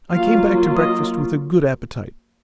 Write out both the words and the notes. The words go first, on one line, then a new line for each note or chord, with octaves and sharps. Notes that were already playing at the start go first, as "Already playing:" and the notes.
I came back to breakfast with a good appetite.
F#3 A#3 F4 F5
D#5